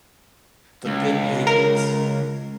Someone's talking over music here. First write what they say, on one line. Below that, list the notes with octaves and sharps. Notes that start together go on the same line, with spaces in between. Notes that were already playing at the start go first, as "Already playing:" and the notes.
the thin pancakes?
C#2
A#4